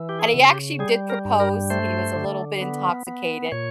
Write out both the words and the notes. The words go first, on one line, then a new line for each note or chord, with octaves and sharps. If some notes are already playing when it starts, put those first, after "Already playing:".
and he actually did propose, he was a little bit intoxicated,
Already playing: E3
G4
G#4
C#3
G4
G3 G#4
A#4
G2
A#4
A3 C5
D3
B3
B3
A#2 C#5